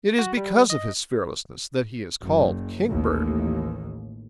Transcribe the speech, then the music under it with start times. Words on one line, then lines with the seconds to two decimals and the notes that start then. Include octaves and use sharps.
It is because of his fearlessness that he is called Kingbird.
0.19 F#4
0.37 G3
0.70 D#5
2.23 F#1
2.88 A1 D#2